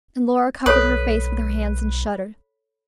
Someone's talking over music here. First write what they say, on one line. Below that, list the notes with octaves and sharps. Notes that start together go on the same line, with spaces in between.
And Lora covered her face with her hands and shuddered.
B1 A4 B4 C#5 D#6